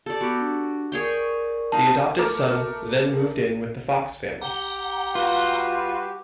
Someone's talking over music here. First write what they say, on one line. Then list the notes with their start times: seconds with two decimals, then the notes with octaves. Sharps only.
The adopted son then moved in with the Fox family.
0.06 G4 A4 D5
0.21 B3 F#4 G4 D6
0.40 D4
0.92 G#4 A#4 C#5 D5 G5 C#6
1.72 D#4 F5 A5
2.18 A3 A#4 D6 F6
4.41 G4 F#5 G5 A#5
5.15 G3 F4 F#4 B4